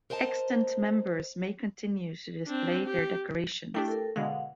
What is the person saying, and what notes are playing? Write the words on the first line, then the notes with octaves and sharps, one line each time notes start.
Extant members may continue to display their decorations.
A#4 C5 D#5 G5 A5 A#5
C4 D4
G4
A3 D4 E4 G4 G5
A4 A#4
B2 D3 G#3 F5 F#5